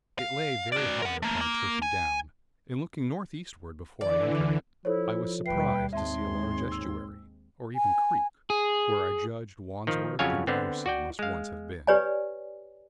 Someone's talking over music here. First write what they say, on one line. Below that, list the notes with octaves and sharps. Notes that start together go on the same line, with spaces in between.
It lay very high upon a turfy down, and looking north-eastward before I entered it, I was surprised to see a large estuary, or even creek, where I judged Wandsworth and Battersea must once have been.
F5
F#4 D5
A#4 F#5
A3 A#3
A#3
G#5
D3 E3 D5
F3 E4 A4 C5 C#5
D#2 B2 G3 B4 E5 G5 C7
D#2 G#2 G#3 C4 C#5 E5 A5 C6
E6
G#5
G#4
D#3 F3
F2 C#3 F#3 C#5 F5 G#5
D3 B3 C4
F#4 D5 G5
G#3 F5
G4 B4 C#5 D5 G#5